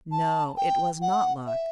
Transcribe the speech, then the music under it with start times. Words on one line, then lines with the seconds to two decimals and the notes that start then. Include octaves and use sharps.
No, it was not luck.
0.12 A5
0.57 G5
1.02 F#5
1.47 E5